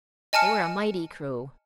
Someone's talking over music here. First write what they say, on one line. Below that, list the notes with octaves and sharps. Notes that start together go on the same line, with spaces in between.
They were a mighty crew.
D#5 G#5 A5 F6 C#7